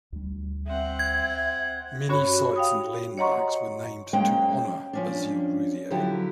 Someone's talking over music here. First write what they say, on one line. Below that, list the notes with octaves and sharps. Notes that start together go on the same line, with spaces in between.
Many sites and landmarks were named to honour Basile Routhier.
D2 G3
C4 E5 F#5
G#6
G2 C#4 F#4 C#5 B5
F5 G5 D#6
C#5 D#5 F#5 A#5 C6 C#6
G#3 A#3 C#4 C5 G5
F3 C#4 D4
D3 F3 F#3 E4 G4